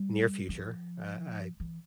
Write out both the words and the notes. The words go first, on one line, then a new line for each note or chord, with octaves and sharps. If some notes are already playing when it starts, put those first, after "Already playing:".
near future, uh, I
Already playing: G3
F3
E3